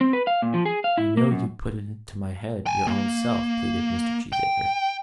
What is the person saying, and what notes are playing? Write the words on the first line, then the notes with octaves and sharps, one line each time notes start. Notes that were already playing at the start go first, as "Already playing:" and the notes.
"You know you put it into my head your own self," pleaded Mr. Cheesacre.
C4
B4
F5
A#2
F3
G#4
F5
E4
A#3
F#2
G5 G#5
A#3
G5